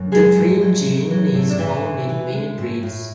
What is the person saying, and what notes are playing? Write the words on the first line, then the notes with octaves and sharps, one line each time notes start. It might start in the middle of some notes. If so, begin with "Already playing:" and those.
The cream gene is found in many breeds.
Already playing: F#2
F#3 G#3 G#4
A2
F#3
A2
F#3
A2
D4
A2 E3 E4
A2
E3
G#3
A2
A2